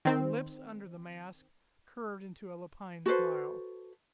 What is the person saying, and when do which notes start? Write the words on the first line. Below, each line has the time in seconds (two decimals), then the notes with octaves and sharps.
The lips under the mask curved into a lupine smile.
0.05 D#3 C4
3.06 F#4 A4 B4 C5